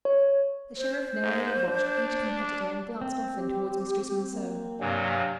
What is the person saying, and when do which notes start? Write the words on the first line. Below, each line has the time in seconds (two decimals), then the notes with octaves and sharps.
The Sheriff narrowly watched each competitor, and glanced often towards Mistress Monceux.
0.05 C#5
0.77 C5
1.23 G#2
1.67 D4
3.01 C4
3.36 G4
4.32 A#3
4.80 G2 C3 F#3 D5 F5 G#5